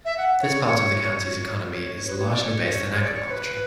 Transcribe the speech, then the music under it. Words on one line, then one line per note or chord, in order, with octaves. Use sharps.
This part of the county's economy is largely based in agriculture.
E5
F#5
C#5
C#5
C#5
B4
C#5
D5
C#5
C#5
D5
C#5
C#5
B4